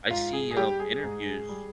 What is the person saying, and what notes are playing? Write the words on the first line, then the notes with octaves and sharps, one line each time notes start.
I see, um, interviews
G#2 F4
G#4
G#4
G3 G4
G#4
G#2
G3